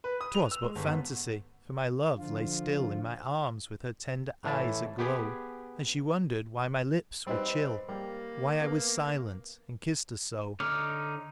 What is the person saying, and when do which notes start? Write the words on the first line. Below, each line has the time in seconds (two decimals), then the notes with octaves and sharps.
'Twas but fantasy, for my love lay still In my arms with her tender eyes aglow, And she wondered why my lips were chill, Why I was silent and kissed her so.
0.04 B4
0.21 D#6
0.34 F7
0.51 E6
0.63 G#3
0.75 G1
0.87 B3
2.18 D3 F3 F4
4.44 A2 E3 E4 A5
4.98 B3 G4 G#4
7.27 G3 C4 D#4 B4
7.89 G3 A#3 G4
8.62 B3
10.60 D3 D#4 C#5 D6 F6